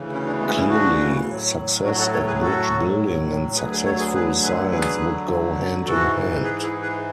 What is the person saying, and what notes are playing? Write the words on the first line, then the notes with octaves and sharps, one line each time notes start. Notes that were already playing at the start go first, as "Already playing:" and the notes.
Clearly, success at bridge building and successful science would go hand in hand.
Already playing: D2 C#3 E3
C#4 E4
B3 D4
G#3 B3
C#4 E4
D4 F#4
A2 F#3
D4 F#4
F#4 A4
A4 C#5
G#4 B4
F#4 A4
D2 D3 F#3 G#4 B4
G#4 B4
A4 C#5
G#4 B4
G#4 B4
G#4 B4
G#4 B4
G#2 E3 F#4 A4
G#4 B4
E4 G#4
G#4 B4